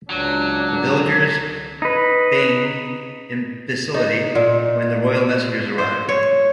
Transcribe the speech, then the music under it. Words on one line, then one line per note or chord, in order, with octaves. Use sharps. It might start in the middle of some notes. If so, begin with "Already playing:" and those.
The villagers feigned imbecility when the royal messengers arrived.
C#2 F#3 D4
D#4 B4
D#4
A#2
C5
C#5